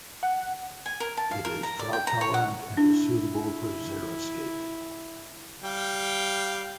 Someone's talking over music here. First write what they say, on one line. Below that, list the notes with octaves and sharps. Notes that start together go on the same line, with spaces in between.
It is drought-tolerant and is suitable for xeriscaping.
F#5
G#5
A#4
A5
F5
A#4
A#5
D5
G5
A#5
C#5
F#5
D4 E4
G3 F5 G5